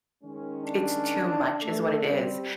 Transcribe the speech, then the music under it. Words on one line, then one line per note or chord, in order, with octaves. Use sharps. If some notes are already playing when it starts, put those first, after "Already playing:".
it's too much is what it is.
D#3 G#3 C#4
D4
A3 A4
G3 C4